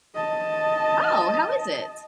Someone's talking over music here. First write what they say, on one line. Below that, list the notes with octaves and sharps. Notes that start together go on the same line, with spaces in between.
Oh, how is it?
D#5 A5